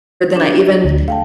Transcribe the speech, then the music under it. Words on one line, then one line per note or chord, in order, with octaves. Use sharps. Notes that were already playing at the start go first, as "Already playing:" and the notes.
Then I even
D4
D2
A3 F5 G5 A5